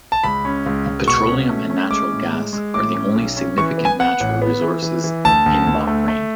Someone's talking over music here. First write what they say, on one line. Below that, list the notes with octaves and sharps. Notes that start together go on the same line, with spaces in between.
Petroleum and natural gas are the only significant natural resources in Bahrain.
A5
C#2 B5
C#4
C#2
C#2
B2 C#6
C#4
A3
C#4
G#3 D6
A2
G#3
G#3
A2 D6
C#4
B1
C#4
E3 C#6
B3
G#5
B3 F#5
A1
B3
E3
E3
E3
D2 A5
D2
D2
A3
A3